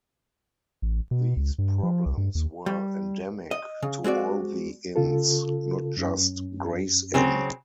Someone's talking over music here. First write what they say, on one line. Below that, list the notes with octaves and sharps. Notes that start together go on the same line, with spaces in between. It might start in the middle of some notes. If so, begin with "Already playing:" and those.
These problems were endemic to all the Inns, not just Gray's Inn.
A1
B2
C#2
G2
F3
C2
G2
D#2
G3
D#5
C#3
G#3 C4 F#4 D5
C#3 F4 A4
F#2 C#4
C#3 F#3 C4